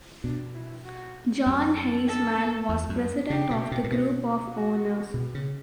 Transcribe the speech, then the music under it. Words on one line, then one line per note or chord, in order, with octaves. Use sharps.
John Heisman was president of the group of owners.
B2 D4
E4
F#4
F#2 G4
A4
A4
E2
F#2
C#3 G4
B2
B2
A2
B2
F#4
B2
C#3